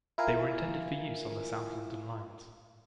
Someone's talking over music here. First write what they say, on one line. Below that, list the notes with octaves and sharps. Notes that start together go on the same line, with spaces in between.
They were intended for use on the South London lines.
E4 F4 A#4 F5 G#5